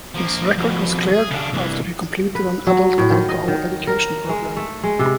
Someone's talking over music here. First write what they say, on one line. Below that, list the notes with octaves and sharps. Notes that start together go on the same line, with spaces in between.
His record was cleared after he completed an adult alcohol education program.
F3 A#3
F2 B2
G#4
C#3 D4
C2 E3
B4
F#3
A2
D#3
D#5
D#3
A#4
G#3
A3
G#3
C3